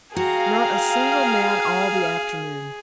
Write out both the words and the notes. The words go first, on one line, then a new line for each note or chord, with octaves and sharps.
Not a single man all the afternoon.
F#4 G#4 F5 G5 A#5